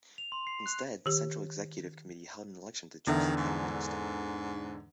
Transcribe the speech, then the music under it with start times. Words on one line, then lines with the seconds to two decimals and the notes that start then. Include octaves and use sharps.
Instead, the Central Executive Committee held an election to choose the Prime Minister.
0.18 F7
0.32 C6
0.47 C7
0.66 F#6
1.06 D#3 G4
3.07 E2 D3 D#3 E5
3.37 G#2